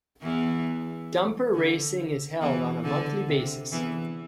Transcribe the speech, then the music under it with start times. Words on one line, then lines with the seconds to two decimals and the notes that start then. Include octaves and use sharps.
Dumper racing is held on a monthly basis.
0.22 E2 E3
1.54 D3
2.41 E2 E3
2.84 D3
3.28 C3
3.72 E2 E3